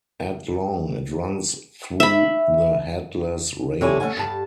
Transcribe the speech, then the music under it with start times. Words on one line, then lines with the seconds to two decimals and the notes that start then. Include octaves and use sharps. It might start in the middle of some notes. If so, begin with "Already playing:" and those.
At long, it runs through the Headless Range.
2.00 E5 B5
3.81 C3 E4 A4 C#5 D5 G#5
4.00 A3 A#3 C#4 F#5 G#5
4.17 G2 A5